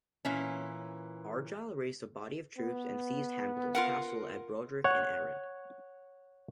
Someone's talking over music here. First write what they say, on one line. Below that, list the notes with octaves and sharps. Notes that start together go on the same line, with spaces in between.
Argyll raised a body of troops and seized Hamilton's castle of Brodick in Arran.
A#2 E3 C#4
B3
F4 A#4 F#5
C#5 F#5